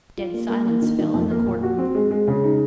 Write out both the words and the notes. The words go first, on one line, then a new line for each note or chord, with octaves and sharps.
Dead silence fell in the court-room.
F4
A#3
A#3
A#3
D#3
D#3
F2
A#3
A#2
F#4
C4
G#3
G#3
C#3
D#4